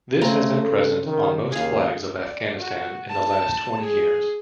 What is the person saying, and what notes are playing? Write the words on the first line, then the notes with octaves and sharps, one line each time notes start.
This has been present on most flags of Afghanistan in the last twenty years.
C#3 A3 C4 A#5
A4
D#3
D#2 G#4 F5
D5
F#4
A5
G#4